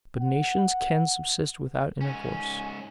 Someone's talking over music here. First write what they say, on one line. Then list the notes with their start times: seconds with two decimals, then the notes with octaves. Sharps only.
But nations can subsist without intercourse.
0.19 F#5
2.01 G#2 C#4 G#5